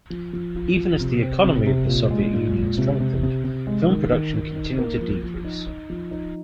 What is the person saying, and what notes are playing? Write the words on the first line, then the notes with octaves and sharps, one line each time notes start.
Even as the economy of the Soviet Union strengthened, film production continued to decrease.
F3
F3
F4
F3
C3
C4
C3
C3
A#2
G#3
A#2
G#3
C3
C3
C3
C3
G#3
D#3
D#3
D#3
D#4
A#3
F3
F3
D#4
D#4
F3
D#4